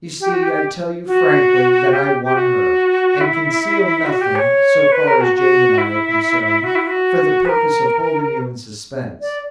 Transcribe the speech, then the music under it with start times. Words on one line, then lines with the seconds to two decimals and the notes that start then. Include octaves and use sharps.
You see I tell you frankly that I won her, and conceal nothing, so far as Jane and I are concerned, for the purpose of holding you in suspense.
0.20 G4
0.31 F#4
0.42 G4
0.53 G4
1.07 F#4
1.92 G4
2.03 G4
2.24 G4
2.35 F#4
3.21 E4
4.06 F#4
4.21 G4
4.35 C#5
4.92 B4
5.07 A#4
5.21 F#4
5.35 F#4
5.78 E4
6.63 F#4
6.75 E4
6.87 F#4
7.45 B4
7.49 A#4
9.21 D5